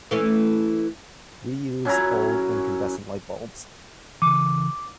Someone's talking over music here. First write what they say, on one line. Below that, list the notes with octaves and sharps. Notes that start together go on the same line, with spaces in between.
We use old incandescent light bulbs.
E3 A3 C#4
F#2 C#4 E4 A#5
C#3 E3 D6